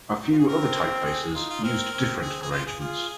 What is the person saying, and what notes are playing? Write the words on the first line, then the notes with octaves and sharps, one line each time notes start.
A few other typefaces used different arrangements.
D#4
F4
G#4
C4 A#4
A#4
G#4
D#4 F4
F4
C4 A#4
C4
G#4
G#4
F4
G#4
F4 G#4